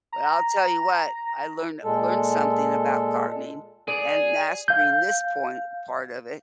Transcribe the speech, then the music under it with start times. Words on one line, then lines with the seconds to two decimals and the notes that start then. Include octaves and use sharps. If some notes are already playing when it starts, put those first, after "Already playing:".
but I'll tell you what I learned learned something about gardening and mastering this point part of it,
0.12 A#5
1.84 A#2 G#3 A4
3.88 G#4 D5
4.68 F5 G6